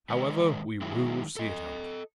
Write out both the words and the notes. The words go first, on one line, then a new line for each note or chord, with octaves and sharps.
However, we will see it out.
D#3 G#3 B4 C#5 D#5
D#3 F#3 G#3 E4
A4 D#5